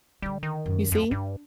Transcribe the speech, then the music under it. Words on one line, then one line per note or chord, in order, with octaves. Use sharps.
you see?
D3 G3 D4
D#3
F#2
F2
G2 D4